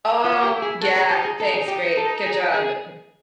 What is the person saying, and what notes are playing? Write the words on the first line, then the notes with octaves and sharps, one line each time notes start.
Oh, yeah, thanks, great, good job, m
C#4 F4
G4
E4
G#4
F#4 A4
G#4
D#4 G4
G#4
D#4 A4
G#4
G4
A4
G#4
G#4